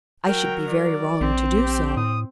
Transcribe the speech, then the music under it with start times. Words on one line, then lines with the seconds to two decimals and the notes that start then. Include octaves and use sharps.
I should be very wrong to do so.
0.25 F#3 A#4 G5
0.69 D5
1.21 A#1 C4
1.56 G4
1.97 A2 D#6